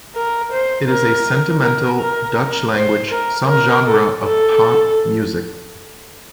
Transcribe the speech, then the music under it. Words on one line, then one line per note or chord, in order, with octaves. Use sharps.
It is a sentimental, Dutch-language subgenre of pop music.
A#4
C5
A#4
A#4
A#4
C5
A#4
A#4
A4
A4